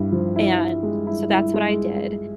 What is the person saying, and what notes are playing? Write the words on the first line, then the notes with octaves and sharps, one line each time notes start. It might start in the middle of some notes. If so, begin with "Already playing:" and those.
and so that's what I did.
Already playing: G2 E4
F3
E4
E4
G#3
E4
E4
G#3